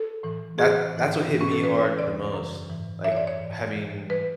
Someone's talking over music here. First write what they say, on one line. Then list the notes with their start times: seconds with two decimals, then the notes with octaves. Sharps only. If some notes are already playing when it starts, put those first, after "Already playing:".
That that's what hit me hard the most. Like, having
Already playing: A4
0.23 A2 E3
0.59 A2 E3 G#4
0.94 G#2 E3
1.28 G#2 E3
1.41 C#4
1.52 A4
1.63 A2 E3 B4
1.81 C#5
1.98 E2 C#3 E3 D5
2.34 F#2 C#3 E3
2.69 G#2 E3
3.04 F#2 E3 E5
3.12 C#5
3.17 D5
3.27 C#5
3.40 G#2 E3
3.75 A2 E3
4.10 E3 B4